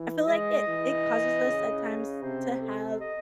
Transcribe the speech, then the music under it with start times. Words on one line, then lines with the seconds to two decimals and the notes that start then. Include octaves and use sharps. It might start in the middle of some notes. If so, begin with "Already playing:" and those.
I feel like it it causes us at times to have,
Already playing: E3
0.27 G#3 D#5
0.67 E3
1.45 C#3
2.22 C3 C5
2.61 A4
3.00 D#5